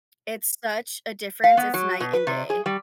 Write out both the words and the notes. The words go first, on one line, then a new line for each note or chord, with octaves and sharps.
it's such a difference, it's night and day.
F5
B3
F#3
B2
B4
C3
G#4
G3